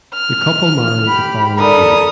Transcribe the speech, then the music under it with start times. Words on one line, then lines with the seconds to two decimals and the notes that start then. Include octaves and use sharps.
The couple married the following year.
0.14 F6
1.08 G4 B5
1.58 D3 E4 A4 A#4 B5 D#6